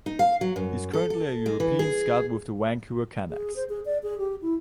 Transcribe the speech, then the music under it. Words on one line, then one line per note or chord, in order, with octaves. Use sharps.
He is currently a European scout with the Vancouver Canucks.
D#4
F5
F#3
F#2
A4
A4
G#3
E3
G#4
G#4
C5
G#4
D5
G#4
G4
E4